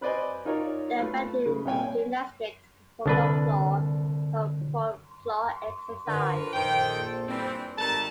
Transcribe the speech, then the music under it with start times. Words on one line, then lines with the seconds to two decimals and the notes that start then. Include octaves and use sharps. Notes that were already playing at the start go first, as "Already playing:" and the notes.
The event in gymnastics performed on floor is called floor exercise.
0.01 C4 B4 C5 D5 D#5 G#5
0.45 D#4 F4 A#4 C#5 D5
0.99 A3 F4 B4
1.46 C#3 B4
1.65 C2 A#2 C#5 G5 G#5
3.06 C2 D3 D4 B4
6.07 D3 F3 A#4 B4
6.53 A#1 D#3 A4 C5 G5
7.29 E3 G3 C4
7.78 G#1 G3 A3 A#4 A5 A#5